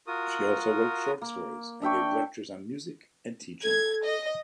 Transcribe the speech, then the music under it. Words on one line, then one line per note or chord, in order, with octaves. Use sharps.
She also wrote short stories and gave lectures on music and teaching.
F4 F#4 A#4 D#6
A#3
D4 E5 G5 C#6
A4 G#6
D#5